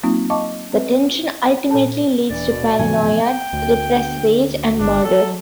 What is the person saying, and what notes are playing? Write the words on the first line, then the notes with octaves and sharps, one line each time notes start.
The tension ultimately leads to paranoia, repressed rage and murder.
F#3 A#3 C4 D#4 F4
D#5 F5 A5 C#6 D6
C4 B4
A#2 A4 A5
D#1 E3 D4 D5
B2
E1 F2 A2 D3 D#3 G#5
G5
D2
G1 D4
F#3 A4